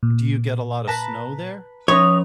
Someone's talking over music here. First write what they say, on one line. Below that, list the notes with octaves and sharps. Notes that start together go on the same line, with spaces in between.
do you get a lotta snow there?
A#2
B4 A5 A#5
F3 C#4 C#5 D#5 B5 D#6 F7